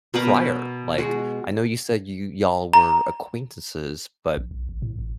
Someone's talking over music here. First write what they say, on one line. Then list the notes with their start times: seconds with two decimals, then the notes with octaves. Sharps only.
prior? Like, I know you said y you y'all were acquaintances, but,
0.14 B2 A#4 B4 A#5
0.98 G#3 F#4
2.73 A#5
4.37 A#1
4.51 B1
4.69 A1
4.82 A2
4.99 A1